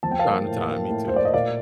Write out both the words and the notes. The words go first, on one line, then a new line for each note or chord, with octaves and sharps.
From time to time, me too.
F3 A5
G5
F5 A5
A#3
A2
A#3
A2
A2 C5
D5
D#5
A#2 D5 F5